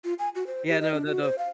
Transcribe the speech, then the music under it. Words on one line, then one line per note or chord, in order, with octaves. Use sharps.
Yeah, no, the the f
F4
G#5
F#4
C5
G4
D#5
D4
F#4
C5
F5